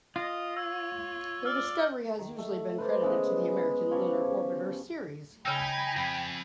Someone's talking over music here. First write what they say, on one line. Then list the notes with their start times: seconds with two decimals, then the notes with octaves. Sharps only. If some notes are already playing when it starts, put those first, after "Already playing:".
Their discovery has usually been credited to the American Lunar Orbiter series.
0.16 F4 D#5
0.57 C#5 E6
1.45 D5 E6 F6
2.19 D#3
2.38 A3
2.78 B4 C5 D5
3.02 C#3 G#3 B3
3.44 B3 B4
3.91 C#3 F3 G4 C#5
5.46 C#3 D#4 G5 G#5 B5 E6
5.97 F2